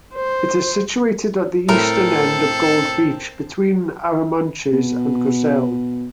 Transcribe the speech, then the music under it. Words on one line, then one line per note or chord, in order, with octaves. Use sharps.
It is situated at the eastern end of Gold Beach between Arromanches and Courseulles.
C5
A2 C4 A4 A#4 A5
B2